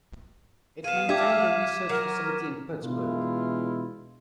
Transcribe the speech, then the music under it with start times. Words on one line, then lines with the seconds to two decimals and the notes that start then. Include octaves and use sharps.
It maintained a research facility in Pittsburgh.
0.84 B3 G#4 F5 D#7 E7
1.09 D4 G4 E5 D6 G#6 B6
1.89 F#3 A#4
2.83 B2 E3 G#3 D4 E4 F4